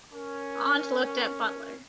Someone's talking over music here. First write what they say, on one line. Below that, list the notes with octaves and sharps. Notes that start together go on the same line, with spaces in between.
Aunt looked at butler.
C#4 A#4